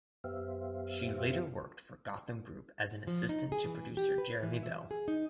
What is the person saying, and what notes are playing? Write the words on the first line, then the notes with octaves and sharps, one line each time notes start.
She later worked for Gotham Group as an assistant to producer Jeremy Bell.
F#2 B3 G4 C5 E5 F5
F3
D#4
G#4
E3
G4
B4
E3
E5
G#4
D#4